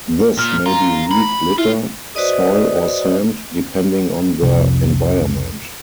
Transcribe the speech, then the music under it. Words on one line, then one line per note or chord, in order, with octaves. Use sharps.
This may be leaf litter, soil or sand, depending on their environment.
A#2 F6
F4 A#5
B5
E4 F4
F#4 B4 C5 D5 D#5 D#6
C2 F2 C3